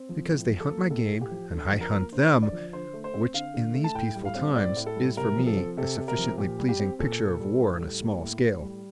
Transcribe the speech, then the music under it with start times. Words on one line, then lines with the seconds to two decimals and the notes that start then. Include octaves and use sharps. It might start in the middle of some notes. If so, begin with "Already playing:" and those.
"Because they hunt my game, and I hunt them--which, in these peaceful times, is for me a sufficiently pleasing picture of war on a small scale."
Already playing: C4
0.09 F3
0.30 A2
0.50 F3
0.60 A4
0.70 A#3
0.90 A2 A4
1.11 A2
1.21 G4
1.31 F3
1.51 D3 A4
1.72 F3
1.81 A#4
1.91 A#3
2.12 D3 C5
2.32 D3
2.42 D5
2.52 F3
2.73 D3 C5
2.94 A3
3.04 C5
3.14 C4
3.34 D3 F5
3.54 D3
3.74 A3
3.84 A5
3.94 A2 G5
4.16 G3
4.25 F5
4.35 C4
4.56 A2 D5
4.77 A2
4.86 A4
4.96 G3
5.17 C3 A#4
5.38 F3
5.47 A4
5.57 C4
5.77 C3 A4
5.97 C3
6.08 A#4
6.18 F3
6.38 A#2 G4
6.59 G3
6.69 G4
6.80 C4
6.99 A#2 A4
7.20 A#2
7.40 G3
7.61 A2
7.81 G3
8.01 A#3
8.22 A2
8.41 A2
8.62 G3